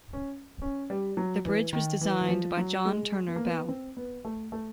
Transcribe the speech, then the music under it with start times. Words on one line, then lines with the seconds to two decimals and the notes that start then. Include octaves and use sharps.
The bridge was designed by John Turner Bell.
0.13 C#4
0.62 C#4
0.90 G3
1.17 F#3
1.45 E3
1.73 D#3
2.01 E3
2.21 E3
2.29 F3
2.57 F#3
2.85 G#3
3.27 B3
3.36 A#3
3.45 B3
3.68 C4
3.97 B3
4.25 A3
4.52 A3